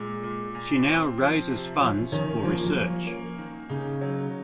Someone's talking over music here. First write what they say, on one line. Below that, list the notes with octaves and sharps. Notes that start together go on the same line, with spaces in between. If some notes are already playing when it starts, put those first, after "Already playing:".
She now raises funds for research.
Already playing: A#2 G#3
A#2
A#2
C4
F3
C3
F3 C#4
D#3 C#4
F3 A#3
F#3
F3 C#4
A#3
D#3
C#3 D#4
F#3